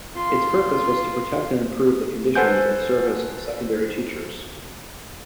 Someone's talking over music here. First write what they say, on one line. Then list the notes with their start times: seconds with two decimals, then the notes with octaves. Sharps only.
Its purpose was to protect and improve the conditions of service of secondary teachers.
0.15 F4 C6
2.35 A4 B4 C5 F#5 G#5 G6